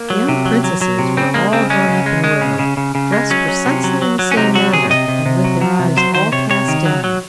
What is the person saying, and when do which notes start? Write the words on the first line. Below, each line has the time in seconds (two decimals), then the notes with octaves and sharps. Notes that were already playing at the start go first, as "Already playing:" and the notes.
The young princesses were all drawn up in a row, dressed precisely in the same manner, and with their eyes all cast down.
Already playing: A#3
0.10 F#3
0.29 C3
0.46 F#3
0.64 F#3
0.82 F#3
0.99 C3
1.17 C#3 C4
1.34 G#3 A#3
1.52 C#3 C4
1.70 G#3 C#4
1.88 C#3
2.06 G#3
2.24 G#3
2.41 C#3
2.59 C#3
2.77 C#3
2.95 C#3
3.12 G#3
3.30 F#3 C#4
3.48 F#3
3.66 C3
3.84 F#3
4.02 F#3
4.19 F#3
4.31 C#4
4.37 C3 D#4
4.55 F#3 F#4
4.73 C3 G#4
4.90 C3 D#5
5.08 C3
5.26 C3
5.44 F#3
5.61 F#3
5.79 C3
5.97 F#3 C5
6.15 D#3 C5
6.32 C3 C#5
6.50 C3 C#5
6.68 D#3
6.86 F#3
7.04 F#3